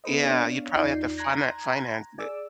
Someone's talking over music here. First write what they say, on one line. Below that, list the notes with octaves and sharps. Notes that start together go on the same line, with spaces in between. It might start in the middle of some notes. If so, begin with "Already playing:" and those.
Yeah, you probably have to finan finance it.
B3 A4 B4 C5 D#5
B3 C4 D4 C#5 D5 F5
E2 D#4 F4 D5 G6 C7
A#5 C6 F#6 G#6 A#6
G#4 D5 D6 E6